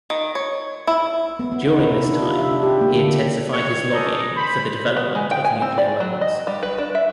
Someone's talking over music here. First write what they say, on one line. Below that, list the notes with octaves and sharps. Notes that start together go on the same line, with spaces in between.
During this time, he intensified his lobbying for the development of nuclear weapons.
D#3
C#5
E4
B3
B3
D#4
E4
C3
D4
F4
E5
D4
G4
A#3
D3
C#5
D4 D#4 G#4 A4 D#5
C5 B5
B3
G#3
G5
G#5
C4
D5
F#3
D#5
G3
B4
D4
E5